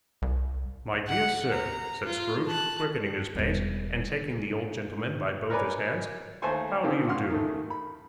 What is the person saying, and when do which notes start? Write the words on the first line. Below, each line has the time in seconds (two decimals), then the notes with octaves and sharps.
'My dear sir,' said Scrooge, quickening his pace, and taking the old gentleman by both his hands, 'how do you do?
0.22 C2
1.08 F#5
1.53 A#5
2.06 F4
2.47 A5 F#6
3.35 E1 G3
5.50 A#4 B4 C#5 D5 G#5 B5
6.42 D#2 A3 A4 C5 G#5 C6
6.83 D3 D#3 F3 G3 C4
7.07 C#3 F#5 C6 F6
7.30 D#3 A3
7.70 B5